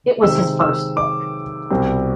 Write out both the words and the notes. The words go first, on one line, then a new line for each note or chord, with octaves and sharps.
It was his first book.
C3 D#3 G#3 C4 E6
E6
D6
C2 B2 G3 C4